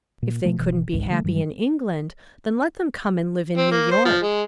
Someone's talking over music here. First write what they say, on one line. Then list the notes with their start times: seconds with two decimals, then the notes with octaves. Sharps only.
If they couldn't be happy in England, then let them come and live in New York.
0.22 A#2
0.45 B2 F3 A3
0.58 G1 B2 E3
0.92 G#1 C#2 G#2
1.10 D3 G3 A3
1.24 G2 D#3 F#3 G3
3.57 C4
3.71 A#3
3.91 C5
4.05 F3
4.23 G#3